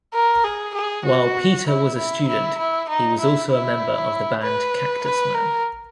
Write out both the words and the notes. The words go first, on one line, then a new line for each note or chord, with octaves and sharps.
While Peter was a student he was also a member of the band Cactusman.
A#4
G#4
G#4
F#4
E4
E4
E4
E4
D#4
E4
E4
B4
B4
A#4